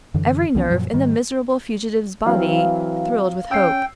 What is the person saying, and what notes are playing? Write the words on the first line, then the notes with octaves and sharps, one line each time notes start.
Every nerve in the miserable fugitive's body thrilled with hope.
F#2 D3 E3
C2 E3 B3 C#4
F#2 A#2 F3 F#3
G#2 D#3 G3
E3 F#3 C4 F5
C#4 G5 E6 C7